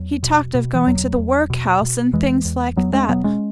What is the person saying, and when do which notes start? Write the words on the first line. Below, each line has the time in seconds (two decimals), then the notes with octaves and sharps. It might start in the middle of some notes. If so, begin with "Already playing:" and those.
He talked of going to the workhouse, and things like that.
Already playing: E2 F#3
0.23 B2
0.55 B2
0.75 E3
0.87 E2 F#3
1.18 E2
1.50 B2
1.82 B2
2.13 E2 E3 G#3
2.45 E2
2.77 E2 F#3 B3
2.93 G#3 C#4
3.08 B2 F#3 B3
3.24 G#3 C#4